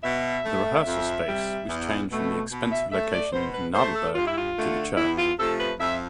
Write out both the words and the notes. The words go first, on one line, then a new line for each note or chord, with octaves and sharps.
The rehearsal space was changed from the expensive location in Nadelberg to the church.
B2 E5
A3
F2
C3 G3
E2
B2 A3
B2
E5
A3 E5
D5
B2 C5
B4
A3 C5
A4
G2 F4
E4
F4
D3 A3
E2 E4
F4
C3 F3 A3 A4
B4
F2 E5